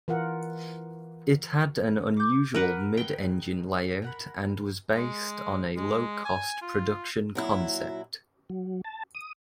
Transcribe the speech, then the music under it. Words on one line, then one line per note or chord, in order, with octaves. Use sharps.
It had an unusual mid-engine layout and was based on a low-cost production concept.
E3 F4 A#4 F#5
D6 G6
A#4 B4 F#5
B3 D#4 G#4 G5
A#4 F#5 B5
G#3
G#3
G#5
F4
A#2 F#3 E4
F#3
A5
D#6